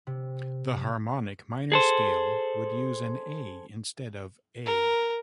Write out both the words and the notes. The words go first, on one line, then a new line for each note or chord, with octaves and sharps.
The harmonic minor scale would use an A instead of A.
C3
G#4 A4 C5
A#4